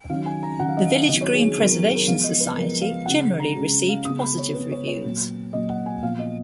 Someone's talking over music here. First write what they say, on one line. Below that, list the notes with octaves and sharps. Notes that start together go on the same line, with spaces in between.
"The Village Green Preservation Society" generally received positive reviews.
D#3 F#3 C#4 F5
G#5
A#5
D#3 F#3 C#4 F#5
F5
D#5
F5
D#3 F#3 B3 D#5
C#5
G#4
G#4
D#3 F#3 B3 A#4
A#4
G#4
A#4
F3 G#3 B3 F5
D#5
B4
F3 G#3 B3 A#4
F5
C#3 G#3 C#4 F#5
A#5
C#3 G#3 C#4
F5
C#3 G#3 B3 D#6
B5
C#5
C#3 G#3 B3 B4
C#5
C#5
A#2 F#3 A#3
A#2 F#3 A#3 D#5
F#5
G#5
A#2 F3 B3 F5
D#5